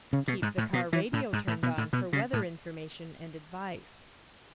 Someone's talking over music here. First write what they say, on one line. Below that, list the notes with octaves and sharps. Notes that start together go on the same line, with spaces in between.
Keep the car radio turned on for weather information and advice.
C#3
B2
G#2
A2
B2
E3
A2
G#2
A2
B2
A2
B2
C#3
A2